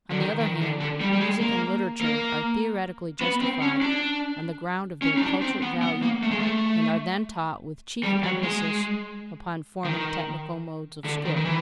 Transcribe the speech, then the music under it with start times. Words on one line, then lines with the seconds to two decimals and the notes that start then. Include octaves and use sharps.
On the other hand, music and literature are theoretically justified on the ground of their culture value and are then taught with chief emphasis upon forming technical modes of skill.
0.11 D3
0.20 D#3
0.40 D#3
0.61 D3
0.80 D3
1.00 G3
1.13 G3
1.20 G#3
1.41 A#3
2.01 A#3
3.21 B3
3.41 C4
3.62 C#4
3.82 D4
5.02 C#4
5.17 D#4
5.22 D4
5.42 C4
5.62 B3
5.82 B3
6.02 A#3
6.23 A3
6.31 G#3
6.39 A3
8.03 G3
8.23 F#3
8.43 G#3
9.85 D#3
11.04 D3
11.25 D#3
11.36 D#3
11.45 E3